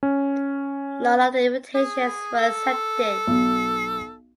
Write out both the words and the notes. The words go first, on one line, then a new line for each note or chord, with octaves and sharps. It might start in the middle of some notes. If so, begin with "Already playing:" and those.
None of the invitations were accepted.
C#4
G#4
A4
B1